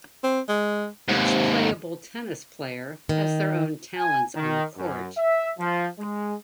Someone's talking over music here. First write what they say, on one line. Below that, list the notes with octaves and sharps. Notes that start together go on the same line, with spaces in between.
Each playable tennis player has their own talents on the court.
C4
G#3
D#2 G#2 C3
D#3
G#5
D#3
F#2
E5
F3
G#3